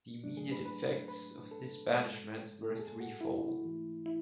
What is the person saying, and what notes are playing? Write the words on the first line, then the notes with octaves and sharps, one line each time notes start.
The immediate effects of this banishment were threefold.
G#2 F#3 A3 D4
G#4
B4
B4
B4
A4
G#2 G#3
A4
G#4
F#4
E4
G#2 E3 A3
E4